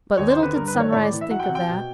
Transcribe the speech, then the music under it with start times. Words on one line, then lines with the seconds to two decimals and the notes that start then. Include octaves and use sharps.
But little did Sunrise think of that.
0.17 D#2 C#5
0.30 C5
0.37 D3
0.43 B4
0.55 G2 A#4
0.67 B4
0.75 D#3
0.80 C#5
0.92 A2 C#5
1.03 D5
1.12 E3
1.21 E5
1.30 F#3 F#5
1.39 G5
1.44 F#5
1.49 C3
1.55 G5
1.69 B2